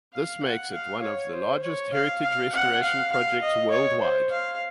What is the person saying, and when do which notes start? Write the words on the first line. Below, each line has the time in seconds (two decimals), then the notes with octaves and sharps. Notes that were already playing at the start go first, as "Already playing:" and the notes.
This makes it one of the largest heritage restoration projects worldwide.
0.13 F5
0.43 F#5
0.73 F5
1.02 C#5
1.33 C5
1.62 C#5
1.93 F5
2.22 F5
2.52 F#5
2.82 F5
3.11 F5
3.42 D#5
3.71 C#5
4.00 C5
4.31 F5